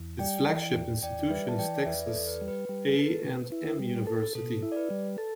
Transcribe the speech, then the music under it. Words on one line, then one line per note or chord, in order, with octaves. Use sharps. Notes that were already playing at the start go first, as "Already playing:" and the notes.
Its flagship institution is Texas A and M University.
Already playing: E2
G3 D5 G5
E3
E2
E2 D5 G5
D5
G3 B4 E5
A5
E3 D5 G5
D5
E2 B4 E5
A4 D5
E2
B4
G3
B4
G3
A4
B2
E4
G3
A4
B2 A4
E4
D5
B4
G3
A4